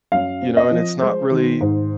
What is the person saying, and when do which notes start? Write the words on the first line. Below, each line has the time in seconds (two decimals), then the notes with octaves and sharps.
You know, and it's not really
0.12 F#2 F5
0.42 C4
0.57 D#5
0.71 F3
1.01 G#3 C5
1.31 D#3
1.61 G#2